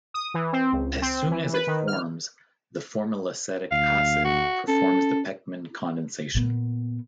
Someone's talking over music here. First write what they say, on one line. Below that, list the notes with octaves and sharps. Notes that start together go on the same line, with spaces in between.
As soon as it forms, the formylacetic acid performs the Pechmann condensation.
D#6
E3
C4
C#2
C4
E3
B4
D#3
F6
D2 F5
F#4
C#4 A4
A#2 B3